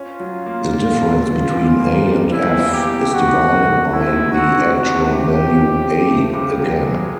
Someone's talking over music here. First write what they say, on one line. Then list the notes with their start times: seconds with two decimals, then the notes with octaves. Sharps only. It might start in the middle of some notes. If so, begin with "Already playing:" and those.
The difference between "A" and "F" is divided by the Actual value "A" again.
Already playing: C#4 F4
0.20 F#3
0.46 A#3
0.73 A#3
0.99 A#2
1.26 F#3
1.53 E2
1.80 A#3
2.07 G3
2.32 E2 E4
2.60 A#3
2.73 G4
2.87 B2
3.13 D#3 F#4
3.40 G#3
3.67 C3
3.92 G#3 E4
4.19 D#3
4.32 F#4
4.46 C3
4.72 C3 F#4
5.00 A3
5.13 G4
5.26 F3
5.53 C#4
5.80 F3
6.06 A3
6.33 C#2 G4
6.59 F#3
6.73 G#4
6.86 F#3